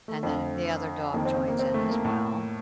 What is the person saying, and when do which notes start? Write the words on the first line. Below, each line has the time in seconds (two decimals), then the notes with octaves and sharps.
and then the other dog joins in as well.
0.08 A3
0.23 F2 D3
1.14 F2 D#3 A#3
1.25 C4
1.37 C4
1.48 A#3
1.59 C4
1.74 A3
1.90 A#3
2.05 A2